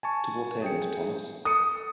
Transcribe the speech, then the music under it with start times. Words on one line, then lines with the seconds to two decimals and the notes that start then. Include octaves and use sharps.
To what end, Thomas?
0.03 G#5 A5 C#6
0.62 G#4 G5 C#7
1.45 A4 D#6 C#7